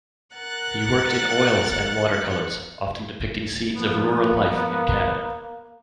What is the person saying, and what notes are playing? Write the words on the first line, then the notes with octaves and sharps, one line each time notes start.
He worked in oils and watercolors, often depicting scenes of rural life in Canada.
A#4 F#5 F#6 A6
F3 A#3 B3